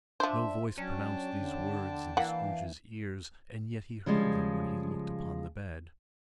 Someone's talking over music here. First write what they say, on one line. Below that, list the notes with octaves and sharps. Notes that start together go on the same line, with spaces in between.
No voice pronounced these words in Scrooge's ears, and yet he heard them when he looked upon the bed.
F3 D4 C5 E5
F#3 C#4 D4 G5 A5
D3
E3 A#3 F5 F#5
C#3 F3 G3 G#3 F4